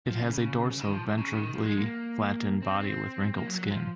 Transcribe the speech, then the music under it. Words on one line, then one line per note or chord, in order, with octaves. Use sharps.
It has a dorso-ventrally flattened body with wrinkled skin.
F3
C#3
C#3
C#3
D#3
F3
C3
C#3
D#3
F3
G#3
A#3
C4
C4
A#3
F#3
F#3
F3